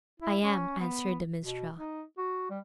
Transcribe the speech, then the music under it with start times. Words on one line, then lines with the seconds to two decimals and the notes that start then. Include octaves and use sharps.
"I am," answered the minstrel.
0.20 E4
0.42 C#4
0.80 B3
1.41 B2
1.77 D#4
2.18 F#4
2.50 G3